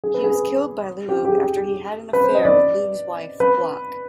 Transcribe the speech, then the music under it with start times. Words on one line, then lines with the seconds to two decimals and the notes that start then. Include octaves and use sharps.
He was killed by Lugh after he had an affair with Lug's wife Buach.
0.04 G#4
0.14 B4
0.24 G#4
0.35 B4
1.09 G4
1.25 G4
1.30 G#4
2.13 B4
2.24 C5
2.35 D#5
2.45 D5
3.40 B4